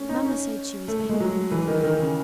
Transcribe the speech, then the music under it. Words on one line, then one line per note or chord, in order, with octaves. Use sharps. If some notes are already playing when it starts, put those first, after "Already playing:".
Mamma said she was angling for you.
Already playing: A3 C#4
D#4
C#4
A3
A3
G#3
F#3
E3
D#3
D#3
C#3